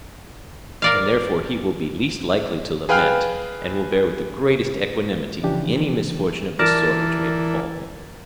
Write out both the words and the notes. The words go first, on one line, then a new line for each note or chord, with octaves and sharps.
And therefore he will be least likely to lament, and will bear with the greatest equanimity any misfortune of this sort which may befall him.
A#4 D5 F5
G#4 B4 F5 G5 B5 F6
C#3 E3 F3 D4 G4
E3 A#4 D5 A5